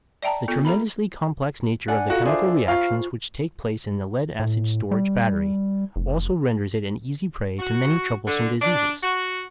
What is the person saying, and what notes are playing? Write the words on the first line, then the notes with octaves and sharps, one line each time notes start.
The tremendously complex nature of the chemical reactions which take place in the lead-acid storage battery also renders it an easy prey to many troublesome diseases.
D5 E5 G5 A5 A#5
B3 F4 A4
A4 E5 A#5 B5
D4 F#5 G#5
F4 F#4 A4 F5
D4 G#4 C5 E5
F4 F5 C#6
A2
G3
F1
F#4
D3
D4
F#4